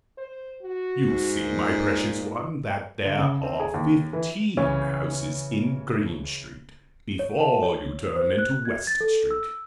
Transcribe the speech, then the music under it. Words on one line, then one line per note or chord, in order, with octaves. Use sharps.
"You see, my precious one, that there are fifteen houses in Green Street, before you turn into West Street."
C5
F#4
G#2
A#2
D3
C#3
C4
G#4
D#2
E3
C#3 E3 C#4
C#5
A5
C#5
C5
F#6
G#6
A6
A4
E6